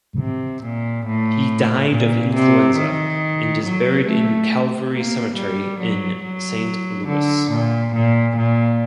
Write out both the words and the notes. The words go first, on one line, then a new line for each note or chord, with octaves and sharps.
He died of influenza, and is buried in Calvary Cemetery in Saint Louis.
C3
A#2
A2
A#2
C3
D#3
F#3
A3
A#3
G3
F#3
F#3
D3
A#2
A#2
A#2